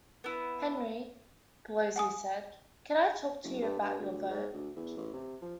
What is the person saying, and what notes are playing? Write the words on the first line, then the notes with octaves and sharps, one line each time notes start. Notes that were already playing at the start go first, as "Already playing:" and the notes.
'Henry,' Pelosi said, 'can I talk to you about your vote?
B3 E4
F#5 G#5 D#6
F#1
G2
G2
D2
G#2
D2
E2
A1
C3
F3